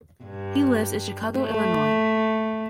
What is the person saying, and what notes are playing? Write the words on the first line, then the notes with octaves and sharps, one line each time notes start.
He lives in Chicago, Illinois.
G2
A3